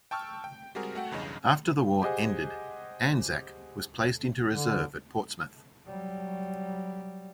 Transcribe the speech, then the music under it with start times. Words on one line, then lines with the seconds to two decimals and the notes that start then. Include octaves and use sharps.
After the war ended, "Anzac" was placed into reserve at Portsmouth.
0.11 G5 A5 C#6 E6 F6
0.44 G5
0.75 G3 G#3 C4 F#4 G#4 A#4
0.95 A3 F#4 F#5 G5
1.11 B1 E2 G2 C#3 D#5
2.02 G4 G#4 C5 D#5 F#5 G#5
4.53 D3
5.86 F#3 G3